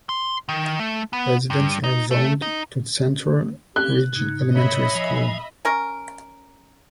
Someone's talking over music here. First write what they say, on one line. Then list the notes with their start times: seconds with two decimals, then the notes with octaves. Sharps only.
Residents are zoned to Central Ridge Elementary School.
0.09 C6
0.49 D#3
0.79 A3
1.13 B3
1.50 G2
1.84 D#4
2.11 A3
2.42 D#4
3.76 C4 C#4 G4 F#6
4.15 G#2 C#3 D#4
4.54 C#5 D#5 E5 B5
4.95 F3 G#5
5.65 C#4 A#4